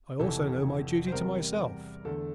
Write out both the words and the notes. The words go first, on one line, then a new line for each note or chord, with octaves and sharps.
I also know my duty to myself.
F1 F2 E3 A4
C5
E2 C3 G3 A#4
E2 D3 A3 A4